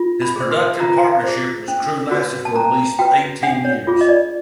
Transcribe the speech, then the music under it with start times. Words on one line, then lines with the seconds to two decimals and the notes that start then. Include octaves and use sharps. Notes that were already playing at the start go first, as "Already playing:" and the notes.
His productive partnership with Crewe lasted for at least eighteen years.
Already playing: F4
0.22 B5
0.36 G#4 C5
0.51 C6
0.80 F4 A#5
1.24 G#4 C5
1.68 C#4
2.11 F#4 B4
2.45 A5
2.55 C#4 A#5
2.99 F#4 B4 G5
3.43 D4 F#5
3.65 C#5
3.87 F4 G#4
4.01 D#5
4.08 D5